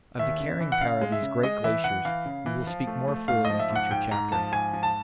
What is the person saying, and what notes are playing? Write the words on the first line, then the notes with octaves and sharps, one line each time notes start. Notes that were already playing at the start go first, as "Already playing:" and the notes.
Of the carrying power of these great glaciers we will speak more fully in a future chapter.
D#2 E5
C#3
E3
F#5
C#3 F5
G#3
E5
C#3
G#3 D#5
E3 E5
E3 F#5
E3 F5
C#3
E3
F3
A3
A3
G#2 F5
D#5
F3
E5
G#2
F#5
G#2 G5
G#2 A#5
F3 A5
G#2 G#5
F3
A5